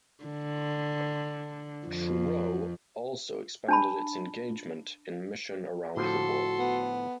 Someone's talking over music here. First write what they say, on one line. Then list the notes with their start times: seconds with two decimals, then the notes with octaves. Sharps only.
Truro also expanded its engagement in mission around the world.
0.24 D3
1.87 F2
3.68 D4 A5 B5
5.96 A2 D3 F3 F#4 A4 C6
6.59 B3